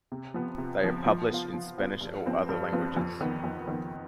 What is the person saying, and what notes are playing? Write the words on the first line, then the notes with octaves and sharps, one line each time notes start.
They are published in Spanish or other languages.
C3
F3 B3
C3
F3 B3
F3
B3 F4
F3
B3 F4
G2
F3 C4 F4 B4
G2
F3 C4 F4 B4
F2
D#3 B3
F2
D#3 B3